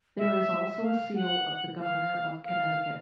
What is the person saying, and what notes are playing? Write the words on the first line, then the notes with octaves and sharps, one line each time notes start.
There is also a seal of the Governor of Connecticut.
E5
E5
F5
F#5
F5
F5